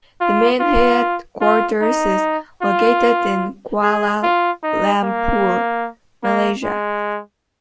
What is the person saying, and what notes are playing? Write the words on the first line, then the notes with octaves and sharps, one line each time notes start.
The main headquarters is located in Kuala Lumpur, Malaysia.
F4
F4
F4
D#4
F4
G#4
F4
D#4
A#3
A#3
G#3